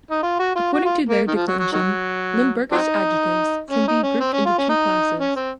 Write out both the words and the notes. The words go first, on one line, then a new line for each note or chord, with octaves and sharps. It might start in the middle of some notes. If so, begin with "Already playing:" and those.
According to their declension, Limburgish adjectives can be grouped into two classes.
D#4
F4
F#4
F4
F#4
F4
A#3
D#3
F3
F#3
F#3
D#3 F#3
F#3 C4 D#4
C#4
D#4
C#4
C4
C#4
F4
C#4
D#4
C#4
C4